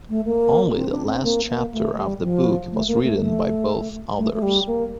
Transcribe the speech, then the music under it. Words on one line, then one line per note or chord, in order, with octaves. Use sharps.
Only the last chapter of the book was written by both authors.
A3
A#3
C4
D4
C4
A#3
A#3
A3
G3
F3
A3
A#3
A3
A3
A3
A3
G3
A#3